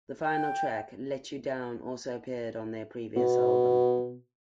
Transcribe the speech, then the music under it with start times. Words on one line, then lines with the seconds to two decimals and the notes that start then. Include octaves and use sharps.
The final track, "Let You Down," also appeared on their previous album.
0.24 G5
3.16 B2